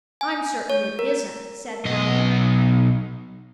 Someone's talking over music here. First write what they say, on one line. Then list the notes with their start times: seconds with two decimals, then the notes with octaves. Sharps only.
"I'm certain it isn't," said Allan.
0.21 G#5
0.70 C#5
0.99 A#4
1.85 B1 D#5